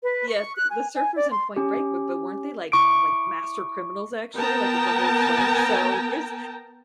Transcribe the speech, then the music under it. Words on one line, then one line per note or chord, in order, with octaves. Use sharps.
Yes, the surfers in Point Break, but weren't they like like master criminals, actually? Like, it was a whole front. So there's
B4
C#6
F#6
G#5
G#5
D5
C6
C#4 G4
E4 C#6 D6 D7
B3 A#4 G5 A5 A#5